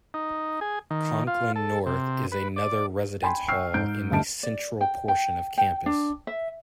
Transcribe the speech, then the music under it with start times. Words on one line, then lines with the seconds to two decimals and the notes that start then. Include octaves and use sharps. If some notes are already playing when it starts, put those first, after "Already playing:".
Conklin North is another residence hall in the central portion of campus.
0.14 D#4
0.61 G#4
0.91 D#3
1.27 F4
1.56 A4
1.86 C3
2.32 B4
2.56 D5
3.23 G5 G#5 B5 C6
3.48 G5 C#6 E6 F6 C7
3.74 G#2 D#4 G6 D7
4.10 D#1 D3 A3 D#5 A5 D7
4.43 D5
4.81 G5
5.08 G5
5.58 G5
5.86 D4
6.27 E5